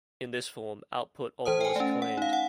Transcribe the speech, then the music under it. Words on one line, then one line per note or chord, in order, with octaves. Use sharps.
In this form, output of was claimed.
E3 C5 A5 D#6
G5 G#5
A3 C#4
F#5
D#4 F5
F#5